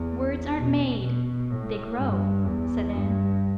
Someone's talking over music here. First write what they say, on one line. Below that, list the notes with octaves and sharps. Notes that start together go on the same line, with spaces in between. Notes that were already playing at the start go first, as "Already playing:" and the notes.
"Words aren't made--they grow," said Anne.
Already playing: E2
B2
B2
A2
G2
E2
G2